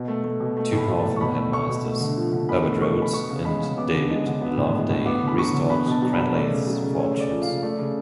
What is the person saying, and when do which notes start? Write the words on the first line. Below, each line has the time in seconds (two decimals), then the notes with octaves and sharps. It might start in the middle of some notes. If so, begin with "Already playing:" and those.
Two powerful headmasters - Herbert Rhodes and David Loveday restored Cranleigh's fortunes.
Already playing: B2
0.08 A3
0.24 A3
0.40 B2
0.57 A3
0.72 A2
0.78 B5
0.88 F#3
0.99 A5
1.05 A2
1.16 C#6
1.21 B2 B5
1.36 A3
1.53 A3 C#6
1.69 B2
1.85 A3
2.01 D3
2.17 F3
2.32 D3
2.49 B2 B5
2.65 A3
2.81 A3 C#6
2.97 B2 B5
3.13 B3 C#6
3.29 C#3
3.45 G#3 B5
3.62 C#3
3.78 B3 D6
3.94 D3
4.10 G#3
4.26 D3
4.42 B3
4.57 A2
4.74 G#3
4.90 A2
5.06 B3 D6
5.22 D3
5.28 B5
5.38 F#3 C#6
5.54 D3
5.70 B3 B5
5.86 B2 A5
6.02 F#3
6.13 B5
6.18 B2
6.34 A3 D5
6.51 C#3
6.67 F#3
6.83 C#3
6.99 A3 C#5
7.14 C#3
7.20 D5
7.31 F3
7.42 F5
7.47 C#3
7.63 A3 D5
7.79 C#3